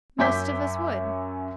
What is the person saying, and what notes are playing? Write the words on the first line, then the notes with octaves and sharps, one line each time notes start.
"Most of us would."
F#2 C#4 E5 D6 G6 B6